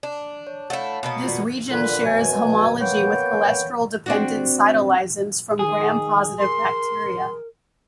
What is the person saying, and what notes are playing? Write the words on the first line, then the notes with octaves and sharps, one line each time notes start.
This region shares homology with cholesterol-dependent cytolysins from Gram-positive bacteria.
D4
C#5
A3 E4 C#5 F5 F#5
B2 A#3 B3
F4 F#4 D5
A#2 D3 B4
F#2 B2 G#5
A#3 B3 C#5 F#5 G5
C4 D4 F#4
D#3 G#4
A#4 C6